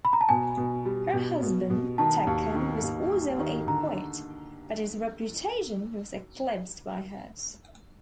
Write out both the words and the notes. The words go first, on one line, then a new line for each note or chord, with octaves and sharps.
Her husband Tekkan was also a poet, but his reputation was eclipsed by hers.
B5
A#5
A5
B2 G#5
B2
G3
B2
B2
B2
D#3 A5
D#2
D#3
D#2
G3
D#3
D3 A#5